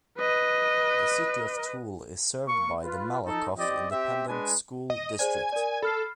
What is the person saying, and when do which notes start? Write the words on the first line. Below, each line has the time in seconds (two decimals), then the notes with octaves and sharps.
The City of Tool is served by the Malakoff Independent School District.
0.18 B4 D#5
2.48 A#3 C#6
2.84 F4 B4
3.26 D#4 A4
3.58 C4 G4 D5 D#5
3.92 C4 G4 E5
4.28 G#3 D4 B4 G#5
4.90 D#5
5.19 G#4 C5 D5 G#5
5.52 A#4 D5
5.82 A4 B5 F6 C7